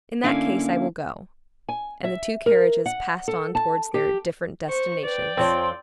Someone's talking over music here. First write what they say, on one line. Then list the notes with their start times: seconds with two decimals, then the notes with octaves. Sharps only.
"In that case I will go." And the two carriages passed on towards their different destinations.
0.24 D3 A#3 C#4 E4 F5
1.69 G#5
2.04 E5
2.46 A#4
2.86 F#5
3.28 A4
3.55 A5
3.94 G4
4.68 C5 C#6
5.04 B4 D5 G5
5.37 F2 F3 C4 C#5 C6